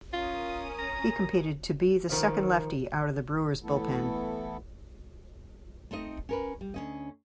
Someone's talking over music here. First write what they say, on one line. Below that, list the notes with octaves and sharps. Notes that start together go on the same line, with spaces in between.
He competed to be the second lefty out of the Brewers' bullpen.
C#4 F4 A#4 D#6
A#5
D#3 F3
E3 A3 B3 E4 A4
A3 C4 D#4 D#5
C#4 A#4 B4
G3
D2 C#4 D#5